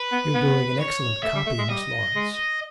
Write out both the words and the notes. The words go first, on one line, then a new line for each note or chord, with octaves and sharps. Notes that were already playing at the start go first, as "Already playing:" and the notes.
'You're doing an excellent copy, Miss Laurence.'
Already playing: B4
B3
B3
C#5
A3 E5
G3
A3
G#3
G3 D#5
G#3